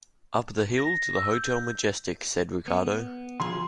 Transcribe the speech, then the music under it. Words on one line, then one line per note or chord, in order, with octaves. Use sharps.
"Up the hill to the Hotel Majestic," said Ricardo.
A#6
E6
G6
B3
D3 F3 G#4 C6